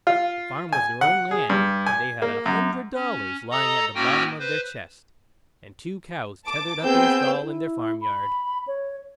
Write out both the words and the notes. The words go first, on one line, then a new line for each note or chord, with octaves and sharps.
The farm was their own land, and they had a hundred dollars lying at the bottom of their chest, and two cows tethered up in a stall in their farm-yard.
F4
G#5
F#5
G#4
G2
G#5
A#3
F#2
C#4
A4 D#5 A#5 D#6
A2 A#3 C#4 F#4 G5 G#5
B4 C5
A5 D6
B3 C4 G#4 G5 E6 G6
E4
B5
C#5